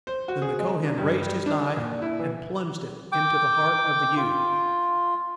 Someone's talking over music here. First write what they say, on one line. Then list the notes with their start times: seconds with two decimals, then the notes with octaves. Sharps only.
Then the Kohen raised his knife and plunged it into the heart of the youth.
0.07 C5
0.28 F#4
0.42 G#4
0.59 G#3
0.83 D4
0.98 G2
1.22 G3
1.46 D4
1.77 A#2
2.02 E4
2.20 E3
3.12 G5 D6
4.17 F4